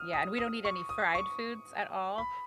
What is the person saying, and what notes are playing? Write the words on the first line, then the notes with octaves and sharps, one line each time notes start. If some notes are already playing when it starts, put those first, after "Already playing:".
Yeah, and we don't eat any fried foods at all,
Already playing: D#6 F6
D#6
D#6
C#6
D#6
C#6
B5